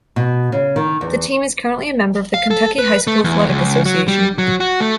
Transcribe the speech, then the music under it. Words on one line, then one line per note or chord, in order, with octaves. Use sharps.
The team is currently a member of the Kentucky High School Athletic Association.
B2
C#3
D#3
E2
F5
A4
B4
A3
E2
C#2
F#3
G3
F#3
F#4
A3